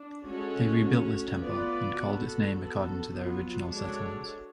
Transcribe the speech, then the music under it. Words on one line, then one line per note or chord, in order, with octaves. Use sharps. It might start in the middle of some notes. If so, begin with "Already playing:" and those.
They rebuild this temple and called its name according to their original settlements.
Already playing: D4
G#3 C#4 F#4 A4 C#5
A3 C#4 F#4 C#5
B3 F4 B4 D5
B3 F#4 A4
B3 F#4 A4
F#3 B3 F4
G#3 D4 F#4 A4 C#5